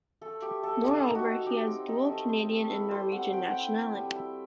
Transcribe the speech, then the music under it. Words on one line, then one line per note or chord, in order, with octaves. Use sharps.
Moreover, he has dual Canadian and Norwegian nationality.
A3 A4
A3 G4
A3 A4
D#4 G4
D#4
F#4
D#4
D#4 G4
C4
D#4
A3
C4
A3
E4 B4
G3 C5
C4 F#5
C4 G5
F#5
E4 G5
E4
G3
E4